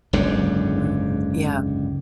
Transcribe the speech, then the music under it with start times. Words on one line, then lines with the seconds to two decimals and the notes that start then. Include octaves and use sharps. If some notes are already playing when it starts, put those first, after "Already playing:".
Mm, yeah.
0.13 F#1 C#2 G#2 D3